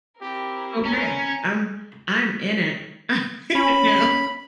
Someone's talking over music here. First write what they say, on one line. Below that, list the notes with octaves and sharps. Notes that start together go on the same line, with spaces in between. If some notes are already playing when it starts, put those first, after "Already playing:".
Ok. I'm I'm in it. I'm in it now.
C4 E4 G4 A#4
C#4 G#5 A#5
C#4 B5